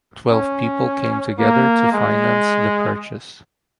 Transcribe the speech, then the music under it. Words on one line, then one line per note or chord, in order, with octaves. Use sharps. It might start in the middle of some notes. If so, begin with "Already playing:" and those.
Twelve people came together to finance the purchase.
C#4
A#3
G#3